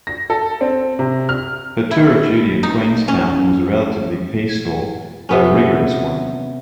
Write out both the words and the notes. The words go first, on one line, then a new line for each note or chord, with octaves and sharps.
Her tour of duty at Queenstown was a relatively peaceful, though rigorous, one.
A#6
A4
C4
C3
F6
E4
D#4
C#4
C3 B3 C#4